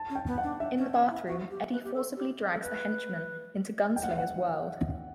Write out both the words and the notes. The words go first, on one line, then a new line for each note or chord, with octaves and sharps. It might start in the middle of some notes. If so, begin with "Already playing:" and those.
In the bathroom, Eddie forcibly drags the henchman into the Gunslinger's world.
Already playing: A5
C#4
G5
B3
F#5
D4
D4 E5
C#4
C#4
E4
F#4
G4
B4
G4
A4
G4
A4
B4
G5
F#5
E5
F#5